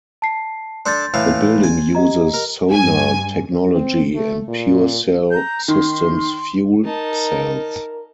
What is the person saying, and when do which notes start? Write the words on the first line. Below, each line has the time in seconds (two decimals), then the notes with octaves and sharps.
The building uses solar technology and PureCell Systems fuel cells.
0.22 A5 C7
0.86 D4 A4 D5 C6 G6 A6
1.14 A2 E3 F5
1.63 G#5
1.95 G4 D#5 A#5
2.34 A#4
2.73 G2 G#5
3.72 C4
4.14 A3
4.48 A#2
5.31 A#5 G6
5.68 D#3 C6
6.85 D#4 A#4 A5